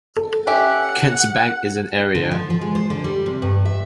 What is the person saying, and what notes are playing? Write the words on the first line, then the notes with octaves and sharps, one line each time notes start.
Kents Bank is in area.
A4
C#4 G4 E5 F#5
D3
F3
F3
G#3
C5
D3
G3
C3
G2
E5